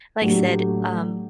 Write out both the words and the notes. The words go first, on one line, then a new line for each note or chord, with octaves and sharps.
like said, um,
A2 F#3 A3 D4 G4